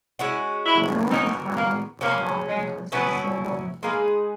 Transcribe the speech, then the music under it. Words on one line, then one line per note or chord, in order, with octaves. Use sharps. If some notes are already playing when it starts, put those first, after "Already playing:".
Thor is finally brought down to a single knee.
G#3 C#4 E4 F#4
E4
E3 B3 D#4 F#4 A#4
A#3
F#3 A#3 C#4 G#4
G#3
B2 F#3 B3 C#4 E4
G#3 A#3 D#4 G#4 B4